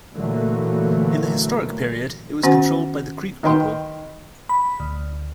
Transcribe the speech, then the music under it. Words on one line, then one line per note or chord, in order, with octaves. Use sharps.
In the historic period, it was controlled by the Creek people.
A#2 D3 E3 F#3 A3 A#3
D#3 B3 C#4 F#4 C5 F#5
D#3 D#4 B4 G5 C6
B5
D2